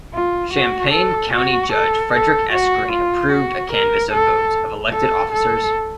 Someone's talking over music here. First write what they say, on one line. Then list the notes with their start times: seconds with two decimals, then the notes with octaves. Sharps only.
Champaign County Judge Frederick S. Green approved a canvass of votes of elected officers.
0.13 F4
0.54 F#4
0.93 A4
1.34 F#4
1.73 A4
2.13 A4
2.53 F#4
2.92 F4
3.33 F#4
3.72 A#4
4.13 A4
4.92 A4
5.32 A4